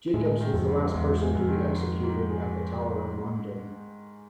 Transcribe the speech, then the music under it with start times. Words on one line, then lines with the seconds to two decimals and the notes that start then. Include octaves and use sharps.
Jakobs was the last person to be executed at the Tower of London.
0.14 A2 G#3
0.41 D#3
0.54 F2
0.67 G#2
0.94 E2 G#2
1.22 G#3
1.35 F2
1.48 D#3
1.76 G#2
2.03 G#2
2.30 G#3